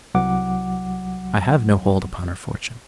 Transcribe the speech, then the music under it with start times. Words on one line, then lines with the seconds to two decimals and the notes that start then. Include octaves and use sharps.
"I have no hold upon her fortune."
0.15 C2 F#3 F#5 D6